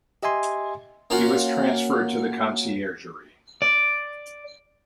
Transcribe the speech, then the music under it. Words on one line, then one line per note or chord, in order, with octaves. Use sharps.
He was transferred to the "Conciergerie".
G4 D#5 E5 G#5 C6
A#3 C#4 F4 F#4
D5